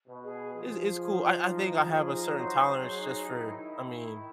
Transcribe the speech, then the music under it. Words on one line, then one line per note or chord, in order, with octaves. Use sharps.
is is cool. I I think I have a certain tolerance just for I mean
B2
G#4
F3 G#4
G#4
G#4
D#4
G#4
D#4
F#3 C5
G#4
F#3
D#4
D#3 E4
E4
E4